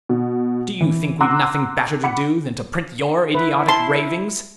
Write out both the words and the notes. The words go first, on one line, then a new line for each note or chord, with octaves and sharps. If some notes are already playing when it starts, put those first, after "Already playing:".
Do you think we've nothing better to do than to print your idiotic ravings?
B2
E3
F#5 A#5 C6 D6 E6 F#6
F#5 B5 D6 C#7
E4 B4
A5 C6